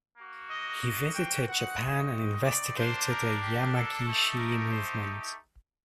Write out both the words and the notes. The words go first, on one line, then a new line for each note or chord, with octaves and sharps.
He visited Japan and investigated the Yamagishi movement.
A#3 F#4
D#5
D#5
G5
C4 D#4 F#4 F#5
D#5
D5
A#3 D4 G4 C5
A#4
G4
A4
A3 D#4 G4
A#4
C5